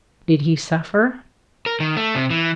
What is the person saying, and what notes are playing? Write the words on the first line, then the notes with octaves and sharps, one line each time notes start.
Did he suffer?
A#4
D#3
A3
C3
E3